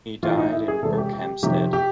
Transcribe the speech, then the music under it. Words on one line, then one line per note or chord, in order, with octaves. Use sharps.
He died in Berkhamsted.
B1 A2 E3 F4
D#4
E4
G#4
E1 E2 C3 A4
G4
G4
F2 C3 D#3 F#3 G4
G4